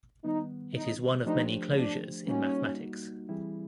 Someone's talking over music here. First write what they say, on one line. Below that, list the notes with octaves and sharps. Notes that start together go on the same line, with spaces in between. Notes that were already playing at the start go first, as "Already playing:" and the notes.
It is one of many closures in mathematics.
D#3 G3 B3 D#4
D#4
F3 A3 D4 D#4 G4 C5
D4
G3 A#3 C#4 D#4 F#4
E3 G3 C4 E4 G#4